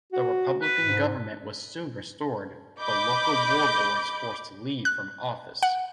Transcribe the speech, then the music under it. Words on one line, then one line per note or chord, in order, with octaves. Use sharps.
The Republican government was soon restored, but local warlords forced Li from office.
F#4
B4
G#2
D#5 B5 D6 G6
F#6
F#5